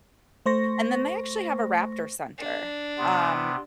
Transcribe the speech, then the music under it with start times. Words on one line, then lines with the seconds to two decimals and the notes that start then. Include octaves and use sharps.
and then they actually have a raptor center. Um
0.46 A3 C5 C#6 A#6
2.38 D4
2.98 C3 B3 C6